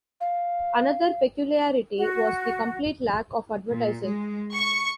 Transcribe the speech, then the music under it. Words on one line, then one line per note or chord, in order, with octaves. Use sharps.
Another peculiarity was the complete lack of advertising.
F5
F#4
A#2
G#3
C#6